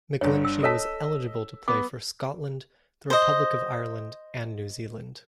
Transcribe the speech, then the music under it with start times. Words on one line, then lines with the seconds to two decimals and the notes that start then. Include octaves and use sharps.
McGlinchey was eligible to play for Scotland, the Republic of Ireland and New Zealand.
0.21 G1 G2 C#5
0.45 E6
0.63 A4 C#5 D#5 A5 E6 B6
1.68 B3 D6
3.10 C5 D#5